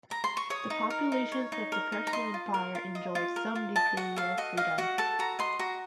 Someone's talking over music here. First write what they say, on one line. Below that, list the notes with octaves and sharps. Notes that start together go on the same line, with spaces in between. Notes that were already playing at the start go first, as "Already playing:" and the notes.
The populations of the Persian Empire enjoyed some degree of freedom.
A#5
C6
C#6
C#5 D#6
D#4
A#4
D#4
C#5
D#4
A#4
D#4
A#5
D#5 C6
F4
A#4
F4
D#5
F4
A#4
F4
D#5 A5
F#4 F#5
A4 F5
F#4 D#5
D#5 F5
F#4 F#5
A4 A5
F#4 A#5
D#5 C6
F#4 A#5